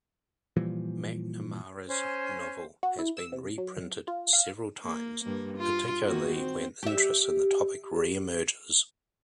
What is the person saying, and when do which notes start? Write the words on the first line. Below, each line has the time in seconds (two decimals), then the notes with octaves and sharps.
MacNamara's novel has been reprinted several times, particularly when interest in the topic re-emerges.
0.57 A#2 E3 F3 G3
1.87 C#4 C5 G#5
2.83 F#4
2.99 E4
3.17 E6
3.32 C3
3.58 F#3
4.08 F4
4.33 F5
4.84 A#3
5.24 G2 A#3
5.58 F4
6.06 D#3 A#3 F#4
6.36 C4
6.83 G4 E5